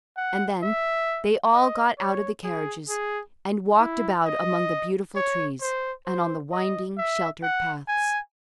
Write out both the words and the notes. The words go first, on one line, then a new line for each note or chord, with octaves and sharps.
And then they all got out of the carriages, and walked about among the beautiful trees, and on the winding, sheltered paths.
F#5
E5
D#5
C#5
G#4
G#4
E4
D#5
C#5
C5
C5
D#5
E5
F#5
G#5